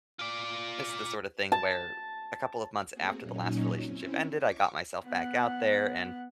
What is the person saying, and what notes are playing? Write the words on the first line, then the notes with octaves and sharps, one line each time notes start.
this is the sorta thing where a couple of months after the last relationship ended, I got myself back out there and
F4 D5
A5
A3 A#3 C4 F#4 G#4
A#2 F#3 C#4 D#4
C4 C#4 E4
C#6 D6
B3 F#5